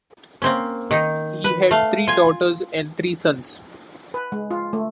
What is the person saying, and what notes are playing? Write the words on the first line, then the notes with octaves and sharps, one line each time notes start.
He had three daughters and three sons.
A#3 C4 C#4
D#3 D#4
B4
A3 F5
F4 G#5
B4
G#3
F4
A3